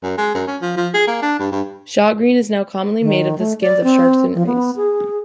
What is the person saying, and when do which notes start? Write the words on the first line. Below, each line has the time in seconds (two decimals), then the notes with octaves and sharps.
Shagreen is now commonly made of the skins of sharks and rays.
0.03 F#2
0.17 G#3
0.35 F#2
0.47 C#4
0.62 F3
0.77 F3
0.94 G#4
1.07 A#3
1.22 D4
1.39 G2
1.52 G2
3.02 D#3
3.38 A3
3.61 D5
3.84 C4
4.35 F3
4.46 B3
4.76 G#4